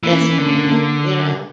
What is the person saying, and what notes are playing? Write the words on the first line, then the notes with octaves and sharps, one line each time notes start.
that's y you know?
E3 A#3
C#4
A#3
C#4
D3 A#3
C#4
A#3
C#4
A#3